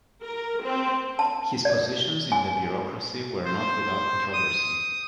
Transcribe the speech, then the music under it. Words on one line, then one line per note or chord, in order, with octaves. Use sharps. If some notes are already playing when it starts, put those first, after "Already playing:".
His positions in the bureaucracy were not without controversy.
A#4
C4
A5
D5
G#5
C5
D#6